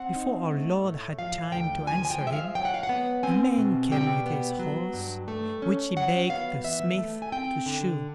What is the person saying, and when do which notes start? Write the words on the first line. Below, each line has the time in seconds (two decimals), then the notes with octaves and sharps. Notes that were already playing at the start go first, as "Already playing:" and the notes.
Before our Lord had time to answer him, a man came with his horse, which he begged the Smith to shoe.
Already playing: C4 F#5
0.16 D#4
0.51 A3
0.84 A2
1.19 F3 F5
1.52 D2 G5
1.87 F3 G#5
2.05 G#5
2.10 G5
2.20 G#3
2.27 E5
2.33 F5
2.55 F#3 G5
2.65 F#5
2.74 F5
2.83 F#5
2.89 B3
3.23 C4 G#5
3.58 B2
3.91 G3 G5
4.26 B3
4.59 F#3
4.93 G2
5.28 A3
5.62 C#4
5.96 F#3 F#5
6.30 B3 F5
6.64 E3 E5
6.98 A3
7.22 G#5
7.32 C4 G5
7.66 D3